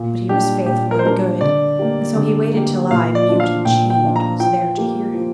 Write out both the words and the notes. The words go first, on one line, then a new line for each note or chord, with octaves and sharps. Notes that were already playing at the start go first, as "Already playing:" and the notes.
But he was faithful and good, and so he waited till I, mute and chained, was there to hear him.
Already playing: A#2
G3 D4 G4
A#2 G4
A#4
C5
G3 D4 A#4
D3 D5
A#3 G4
D3
A#3 G4
A#2 F5
D5
F3 D4 F4
F5
A#2 G5
G5
F3 D4 F4
A#5
F3 G5
A#3 G4
F3